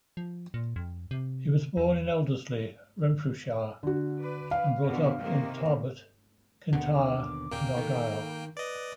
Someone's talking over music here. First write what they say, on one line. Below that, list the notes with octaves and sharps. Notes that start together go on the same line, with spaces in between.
He was born in Elderslie, Renfrewshire, and brought up in Tarbert, Kintyre and Argyll.
F3
A#2
F2
C3
E2
D3 F#4
B4 D5
F5
B2 D3
C3 D#3 A#3
D#2 B2 D3 F#5
D6
D#2 A#2 C#3 A#3 G5
D#3 A4
B4 D5 D#5